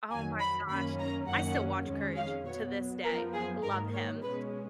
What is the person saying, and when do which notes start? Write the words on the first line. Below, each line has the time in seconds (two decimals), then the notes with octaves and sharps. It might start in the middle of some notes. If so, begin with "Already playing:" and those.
oh my gosh, I still watch Courage to this day, love him,
0.10 F2 D#3 F#3 G#5
0.40 B5
0.69 F#2 D#3 A#3 C#4 B5
0.99 A#5
1.28 F#2 D#3 F#3 A#3 C#4 F#5
1.87 F2 D#3 G#3 C#4
2.16 F5
2.45 B2 F#3 B3 C#5
3.04 F#2 F3 B3 A#4
3.34 G#4
3.63 G#2 D#3 A#3 A#4
3.92 C#5
4.22 B2 G#3 C#4 B4